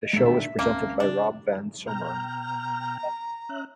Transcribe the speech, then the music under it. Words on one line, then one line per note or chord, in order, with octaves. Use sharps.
The show is presented by Rob van Someren.
B1 A#2 D#3 G#3 A3 D4 E5
E5
D2 A#3 C4 C#4 A5
C#3 D4
B2 G5 A#5 F6
C#4 E5 F#6